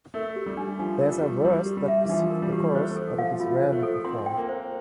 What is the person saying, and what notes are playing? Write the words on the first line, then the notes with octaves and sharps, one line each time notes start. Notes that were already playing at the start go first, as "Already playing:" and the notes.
There is a verse that precedes the chorus, but it is rarely performed.
A3 A#4
G4
G3
D4
F3 D4
A#4
G3
G4
G3 A#4
G4
G3
E5
E3
F3 D4
A#4
G3
G4
A3 C5
A3 A4
F3
F3 F5
A3 F4
C5
A3
A4
C4 C6
G5
A#3
C5